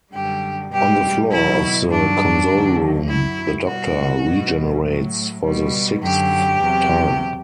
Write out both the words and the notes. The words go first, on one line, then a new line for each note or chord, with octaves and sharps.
On the floor of the console room, the Doctor regenerates for the sixth time.
F#2 D3 G3 G4
B2 G3 G4
B2 F#3 E4
G2 F#3 D4
E2 D3 F#3
F#2 F#3 E4
B2 G3 F#4
B2 G3
A2 F#3
B2 G3
F#2 D3 F#3 G4
E2 C3 F#3